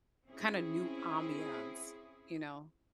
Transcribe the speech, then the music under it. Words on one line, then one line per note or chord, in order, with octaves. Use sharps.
kind of new ambiance, you know.
C4 C#4 E4 G#4